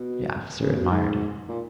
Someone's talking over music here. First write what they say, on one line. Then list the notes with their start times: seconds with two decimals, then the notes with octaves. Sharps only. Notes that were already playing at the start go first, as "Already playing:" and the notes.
The officer admired it.
Already playing: B2
0.62 C#3
0.76 B2
0.90 G#2
1.49 A#2